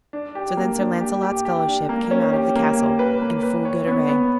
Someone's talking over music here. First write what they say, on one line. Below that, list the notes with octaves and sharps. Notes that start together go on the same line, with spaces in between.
So then Sir Launcelot's fellowship came out of the castle in full good array.
D4
G4
A#3
D4
G4
G4
G4
D4
A#3
C#4
G4
A#3
G4
B4
A#3
B4
C#5
B3
B3